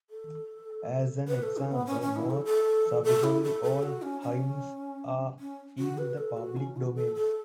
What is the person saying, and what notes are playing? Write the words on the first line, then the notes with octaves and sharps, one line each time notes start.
As an example, most sufficiently old hymns are in the public domain.
A4
B4
A4
C#4
B3
C#4
C#4
E4
A4
A4
A4
E4
A4
A4
F#4
C#4
C#4
C#4
F#4
B4
A4
F#4
C#4
F#4
A4
A4